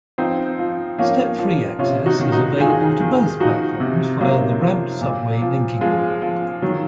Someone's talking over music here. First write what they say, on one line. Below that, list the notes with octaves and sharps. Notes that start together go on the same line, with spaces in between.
Step-free access is available to both platforms via the ramped subway linking them.
F3 C4 D#4
F3
F3 A#3 C#4
F3
C3 C#4 F4
D#4 F#4
D#3
D#4 F#4
D#3 F4 G#4
D#3
F3 D#4 F#4
C3
C3 F#3 A#3
F3
A#2
F3
F3 G#3
F3
D#3 F#3